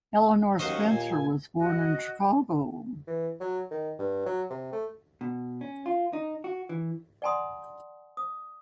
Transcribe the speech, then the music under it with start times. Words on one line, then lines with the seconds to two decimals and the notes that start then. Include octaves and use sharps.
Eleanor Spencer was born in Chicago.
0.59 D#2 F#3 C#4 D#4 C5 D#5
0.91 A#2 G#5
1.57 F#4 D#5
3.07 E3
3.40 F#3
3.71 D#3
3.99 G2
4.26 F#3
4.50 C3
4.73 A3
5.21 B2
5.61 C#4
5.86 F4
6.13 D#4
6.44 F#4
6.69 E3
7.22 D5 F#5 G#5 A#5 C6 D#6
8.17 D#6